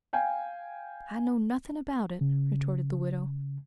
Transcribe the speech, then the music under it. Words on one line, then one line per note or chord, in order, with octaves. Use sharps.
"I know nothing about it," retorted the widow.
F5 G5 G#5
C#3